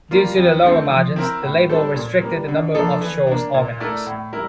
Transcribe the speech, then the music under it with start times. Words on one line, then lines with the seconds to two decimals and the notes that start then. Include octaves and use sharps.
Due to the lower margins, the label restricted the number of shows organized.
0.11 G3 A#3 F4
0.37 F2
0.64 D3 A3 C4
0.90 F3
1.16 C4 E4 A#4
1.43 A2
1.70 G3 D4 A4 C5
1.96 A#2
2.22 G3 A#3
2.48 D3
2.75 F3 A#3 D4 A4
3.01 E3
3.27 A#3 D4
3.54 A#2
3.80 A3 E4 A#4 D5
4.07 A2
4.33 G3 E4 A#4